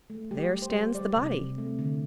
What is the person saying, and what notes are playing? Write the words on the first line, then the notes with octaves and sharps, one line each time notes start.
There stands the body!
A3
G3 G4
G3
C5
G3
G3 D5
C3
C3
A3
D3